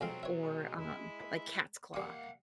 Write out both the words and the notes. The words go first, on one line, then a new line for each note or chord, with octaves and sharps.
or, um, like, cat's claw,
B1 F2 F#3 G#3 C4 F5
C#5 E5
G#3
E4
G3 A#3 F5 F#5 D#6